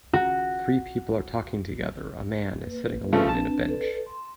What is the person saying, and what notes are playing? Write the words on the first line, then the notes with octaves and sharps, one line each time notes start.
Three people are talking together, a man is sitting alone in a bench.
F#4
A#3 B4
C#3 F3 A3
C4 D4 B4 A5
A4 B4 D5
C6